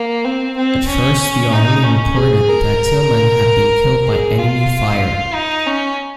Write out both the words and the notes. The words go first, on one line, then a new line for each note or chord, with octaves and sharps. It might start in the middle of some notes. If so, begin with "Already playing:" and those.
At first, the Army reported that Tillman had been killed by enemy fire.
Already playing: A#3
C4
C4
C#4
D#4
C#4
G#4
A#4
G#4
F4
D#4
C#4